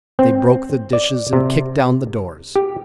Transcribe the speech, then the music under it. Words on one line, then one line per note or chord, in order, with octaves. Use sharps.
They broke the dishes and kicked down the doors.
C4
D5
C3
G4